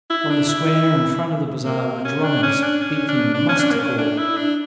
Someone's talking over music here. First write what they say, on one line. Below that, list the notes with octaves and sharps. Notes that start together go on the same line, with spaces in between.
On the square in front of the Bazaar were drummers beating the muster call.
E4
D4
E4
A#3
C#4
D4
C#4
D4
C#4
D4
D4
C#4
D4
A#3
C#4
D4
E4
D4